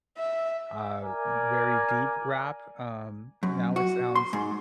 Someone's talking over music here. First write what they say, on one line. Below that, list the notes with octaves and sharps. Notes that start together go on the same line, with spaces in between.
uh, very deep rap, um, now it sounds
E5
A#4 D5 G#5
F#2
F#4
C6
G#2